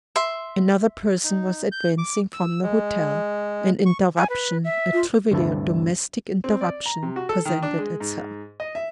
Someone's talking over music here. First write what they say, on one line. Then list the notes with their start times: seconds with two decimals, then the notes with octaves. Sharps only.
Another person was advancing from the hotel; an interruption, a trivial domestic interruption, presented itself.
0.16 E5 C6
1.24 D#4
1.72 G6
1.98 D6
2.33 E6
2.63 G#3
3.86 C#6
4.17 G#5
4.30 B4
4.64 E5
4.93 F4
5.31 G1 D2 G2 C3 E4 A4
6.44 C4
6.61 D5
6.86 A#5
7.03 C3
7.16 F#4
7.29 A4
7.45 D#3
7.63 D4
7.78 G#3
8.00 G#2
8.60 D#5
8.75 E5